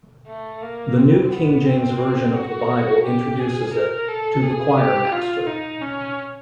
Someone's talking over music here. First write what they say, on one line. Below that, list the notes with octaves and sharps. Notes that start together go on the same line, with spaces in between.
The New King James Version of the Bible introduces it: To the choirmaster.
A3
A#3
C4
B3
C4
F#4
G4
G#4
A#4
A4
G#4
G4
F4
D#4
C#4